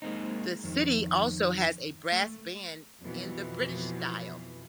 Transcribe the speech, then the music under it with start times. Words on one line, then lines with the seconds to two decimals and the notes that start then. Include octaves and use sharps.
The city also has a brass band in the British style.
0.02 G#3 A#3 C4 D#4
0.64 F2 D#3
2.12 A3
3.01 F2 B2 E3